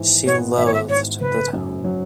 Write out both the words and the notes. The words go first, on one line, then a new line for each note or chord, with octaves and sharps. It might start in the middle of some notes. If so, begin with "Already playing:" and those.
She loathed the town.
Already playing: G#1 G#2 E3
B3 C#5
G#1 E5
C#5
E5
G#2 C#5
F#1 B4
F#2
F#3